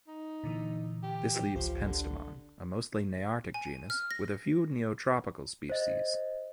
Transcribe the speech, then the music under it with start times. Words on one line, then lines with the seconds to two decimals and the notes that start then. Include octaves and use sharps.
This leaves "Penstemon" a mostly nearctic genus, with a few neotropical species.
0.08 D#4
0.44 A#2 D3 E3
1.03 G4
1.55 G#1 C#2 F3 G4
1.85 D3
3.54 G#5
3.90 F6
4.11 A#6
5.69 C5 D#5